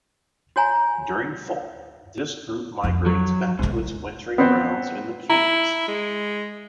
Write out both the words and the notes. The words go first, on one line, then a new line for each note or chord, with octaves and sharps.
During fall, this group migrates back to its wintering grounds in the Keys.
F#4 C#5 G#5 A#5
F2 D#3
F#3
B1 G#2 D#3
B3 C4 C5
E4 A#5
G#3